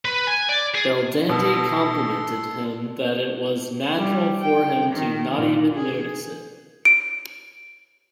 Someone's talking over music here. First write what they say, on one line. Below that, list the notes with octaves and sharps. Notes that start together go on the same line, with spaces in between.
Belldandy complimented him that it was natural for him to not even notice it.
B4
G#5
D5
G#4
B2 A4 C6
G3
G5
D#3
A#2
G#4
D7